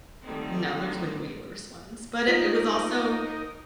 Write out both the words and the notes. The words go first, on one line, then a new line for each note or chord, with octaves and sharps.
No, there's been way worse ones., but it it was also
D3 D#3 G3 A3 C4 D#4
D#4 F4 A#4 C5